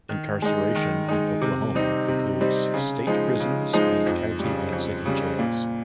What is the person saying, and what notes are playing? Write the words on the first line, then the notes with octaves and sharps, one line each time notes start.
Incarceration in Oklahoma includes state prisons and county and city jails.
D#3
G#3 D#4
D#3
G#3 D#4
C3
G3 C4 D#4
C3
G3 C4 D#4
C#3
F3 G#3 D#4
C#3
F3 G#3 D#4
F2
C#3 G3
F2
C#3 G3
A#2